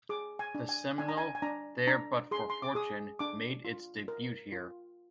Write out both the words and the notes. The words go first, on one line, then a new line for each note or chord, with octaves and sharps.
The seminal "There But For Fortune" made its debut here.
G#4 D6
G#5
D4
G#5
D4 G#5
A#5
G#5
G#5
D4 A#5
D4 A#5
G#4 C6
C6
D6
G#4 D#6
D4 D6
F4
A#4
F4